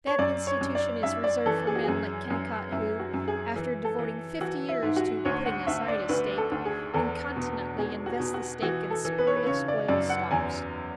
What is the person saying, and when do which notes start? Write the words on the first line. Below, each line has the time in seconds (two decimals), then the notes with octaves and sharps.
That institution is reserved for men like Kennicott who, after devoting fifty years to "putting aside a stake," incontinently invest the stake in spurious oil-stocks.
0.07 C#5
0.19 F#2 D5
0.47 C#5
0.61 F#2
0.75 D5
1.03 F#2 E5
1.24 D5
1.46 E3 A4
1.67 G#4
1.76 F#4
1.83 F#2 G#4
2.30 F#2
2.71 F#2 E4
3.00 F#4
3.14 F#2
3.28 G#4
3.56 E3
3.85 A4
3.99 E3
4.41 E3 F#4
4.69 E4
4.82 G#2
4.96 F#4
5.25 D2 C#5
5.46 F#5
5.67 D2 E5
5.88 D5
6.09 D2 B4
6.38 A4
6.51 D2
6.65 G#4
6.93 E2 A4
7.36 B2
7.78 B2 G#4
8.06 F#4
8.20 B2
8.34 F#4
8.62 E3 F#4
8.90 A4
9.05 E3
9.18 B4
9.27 C#5
9.36 B4
9.47 C#3 C#5
9.68 D5
9.88 F#2 D5
10.10 F#5
10.31 E2 G#5